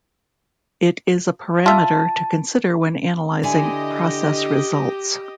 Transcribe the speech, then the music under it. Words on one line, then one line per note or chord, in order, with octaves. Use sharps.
It is a parameter to consider when analyzing process results.
F4 E5 A5
D3 E4 G4 D#5 G#5